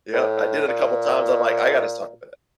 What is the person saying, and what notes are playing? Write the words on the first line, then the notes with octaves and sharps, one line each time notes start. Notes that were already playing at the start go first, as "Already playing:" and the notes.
Yep. I did it a couple times. I'm like, "I gotta stop with it."
A2
A#2